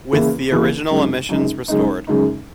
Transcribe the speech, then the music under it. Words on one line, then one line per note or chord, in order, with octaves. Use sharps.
With the original omissions restored.
E2 C#3 E3 A#3 E4
E2 C#3 E3 A#3 E4
F#2 C#3 G#3 D#4
F#2 C#3 G#3 D#4
F#2 C#3 G#3 D#4
F#2 C#3 G#3 D#4